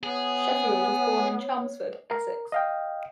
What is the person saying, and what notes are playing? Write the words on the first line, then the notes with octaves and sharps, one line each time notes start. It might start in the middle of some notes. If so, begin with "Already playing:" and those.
Sheffield was born in Chelmsford, Essex.
B3 G#4 C#5
A#4
D#5 F5 G5